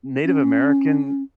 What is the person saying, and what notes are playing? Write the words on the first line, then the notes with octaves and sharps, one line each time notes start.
Native American
C#4